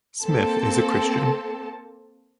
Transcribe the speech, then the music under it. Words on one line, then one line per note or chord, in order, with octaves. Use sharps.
Smith is a Christian.
A#3 C4 A4 A5